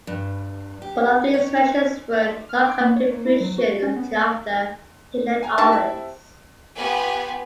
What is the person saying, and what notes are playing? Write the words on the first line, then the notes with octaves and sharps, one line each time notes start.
Both of these measures would not come to fruition until after he left office.
G2
G4
C#5
F6
D6
A#3
C#5
A#3
E4
F#3
F#4
C#4
B3
G#5 A#5
C3 D4 D#4 A#4 A5
E4 E5
B3 F4 G4 B4 G#5